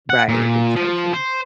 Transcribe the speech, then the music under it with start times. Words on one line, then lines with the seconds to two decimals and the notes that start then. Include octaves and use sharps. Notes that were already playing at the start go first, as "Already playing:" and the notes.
Right, it's so true.
0.10 F#5
0.29 A#2
0.76 F3
1.13 C5